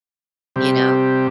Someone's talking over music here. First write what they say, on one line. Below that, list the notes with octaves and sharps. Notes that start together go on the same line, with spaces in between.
You know?
C3 G3